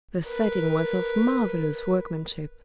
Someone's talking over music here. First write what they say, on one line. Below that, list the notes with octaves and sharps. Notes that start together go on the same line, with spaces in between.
The setting was of marvelous workmanship.
A#4 B4